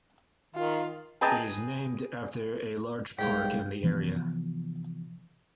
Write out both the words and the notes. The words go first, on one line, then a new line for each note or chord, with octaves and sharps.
It is named after a large park in the area.
D#3 F4
G#4 B4 D#5 G5 A5 A#5
C2 G#2 G3 G#4 F5 G5
C3 E3 F3 B3